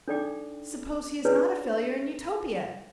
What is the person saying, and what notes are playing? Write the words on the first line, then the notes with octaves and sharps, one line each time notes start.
Suppose he is not a failure in Utopia!...
D4 D#4 A4 D5 G5 D6
D4 E4 G#4 B4 C#5 D5